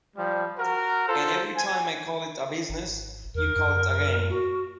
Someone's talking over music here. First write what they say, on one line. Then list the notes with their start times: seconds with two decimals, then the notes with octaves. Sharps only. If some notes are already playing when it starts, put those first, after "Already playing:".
And every time I call it a business, you call it a game.
0.16 F3 G3
0.58 F#4 A#4
1.07 F4 A4 C5
1.56 G#5
2.69 G#1
3.35 E2 A#4
3.56 F#2
4.29 F#4